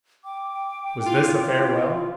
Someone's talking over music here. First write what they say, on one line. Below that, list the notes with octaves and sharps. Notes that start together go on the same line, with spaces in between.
Was this a farewell?
G5 D6
E4 F4